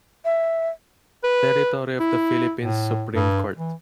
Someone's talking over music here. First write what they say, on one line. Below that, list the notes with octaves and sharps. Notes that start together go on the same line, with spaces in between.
Territory of the Philippines Supreme Court.
E5
B4
E4
A2
G2
E3